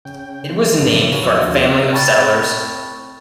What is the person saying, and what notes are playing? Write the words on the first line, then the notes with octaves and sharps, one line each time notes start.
It was named for a family of settlers.
C#3 G5
E3 F3 C4
F#2 A2 D3 F3 B3 D4
F#4 G#4 A#4 B4 C#5 F5
E2 F3 F#3 A#4 C#6 E6
D#2 F3 D4 F4 F#4 C5
C4 G5 A5 B5 C#6 A6